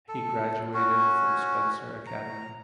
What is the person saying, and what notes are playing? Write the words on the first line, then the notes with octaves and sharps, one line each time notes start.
He graduated from Spencer Academy.
A4
C#4 F#4
A#5